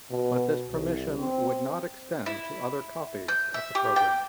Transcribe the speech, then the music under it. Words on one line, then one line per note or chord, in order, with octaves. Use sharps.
But this permission would not extend to other copies of the program.
B2
C2
C4
E4
G6
E5
G4
G5